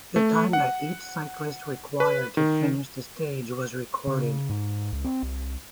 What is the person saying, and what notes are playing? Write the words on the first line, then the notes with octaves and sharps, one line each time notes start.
The time that each cyclist required to finish the stage was recorded.
A3
F#5
B4
D#3
C#3
G#2
C#2
C4
C2